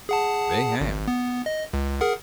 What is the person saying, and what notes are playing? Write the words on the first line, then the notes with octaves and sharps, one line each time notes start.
They had.
G#4 F#5 A5
G#1
B3
D#5
C#2
G#4 A#4 F#5